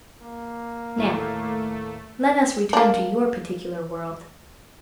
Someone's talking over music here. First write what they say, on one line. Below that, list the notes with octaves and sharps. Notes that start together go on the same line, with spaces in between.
Now let us return to your particular world.
A#3
D#2 A2 A3
A#3 D4